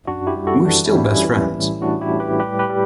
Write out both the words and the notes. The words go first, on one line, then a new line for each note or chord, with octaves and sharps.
We're still best friends.
F#2 D4 F#4
E4 G4
G3
F#4 A4
E3 D4 F#4
C#4 E4
G3
C#4 E4
E3
A2
A2 D4 F#4
E4 G4
A2
G4 B4
G3 G4 B4
G4 B4
G3